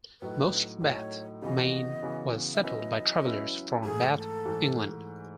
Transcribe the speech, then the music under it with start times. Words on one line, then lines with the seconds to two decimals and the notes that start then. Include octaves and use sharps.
Most of Bath, Maine, was settled by travelers from Bath, England.
0.21 A2 F#3 A3 D#4 B4
0.81 A2 F#3 A3 D#4 C#5
1.42 C#3 E3 B3 F#4 D#5
2.03 C#3 E3 B3 F#4
2.55 E5
2.63 F#3 C#4 E4 B4 D#5
3.25 F#3 C#4 E4 B4
3.84 G#2 E3 A3 G#4
4.16 A4
4.45 G#2 E3 A3